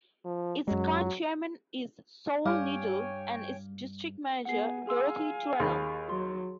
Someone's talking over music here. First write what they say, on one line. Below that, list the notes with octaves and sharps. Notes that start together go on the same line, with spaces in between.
Its current chairman is Saul Needle, and its district manager Dorothy Turano.
F3
F#2 F#3 G#3
G2 G3 C#5 F5 G5 G#5 D6 F6
B3 G#4 F#5 C7
G#4 F5 G#5 C6 E6
D#2 G#4 B5
F#3 C6